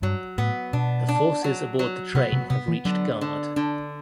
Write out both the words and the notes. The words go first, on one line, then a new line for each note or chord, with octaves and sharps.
The forces aboard the train have reached Gard.
G2 F#3
A2 B3
B2 D4
D4
F#3
F#3
C3 B3
C3
C3 B3
E3
D3 F#3
D3
D3 D4